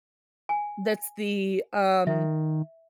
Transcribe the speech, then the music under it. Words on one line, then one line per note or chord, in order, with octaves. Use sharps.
that's the, um,
G#5
D#3 E5